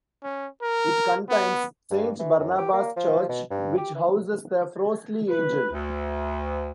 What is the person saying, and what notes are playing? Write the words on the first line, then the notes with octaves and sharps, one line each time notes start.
It contains Saint Barnabas' Church, which houses the Frostley Angel.
C#4
A#4
B3
G2
E3
F#2
G4
A#3
F3
B2
G2
G4
E3
B4
D2